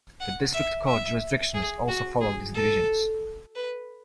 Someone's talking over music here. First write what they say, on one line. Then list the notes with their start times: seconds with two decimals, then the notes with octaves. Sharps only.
The district court jurisdictions also follow these divisions.
0.20 F#5
0.54 E5
0.87 E5
1.54 G#4
1.88 F#4
2.21 G#4
2.55 A4
3.55 B4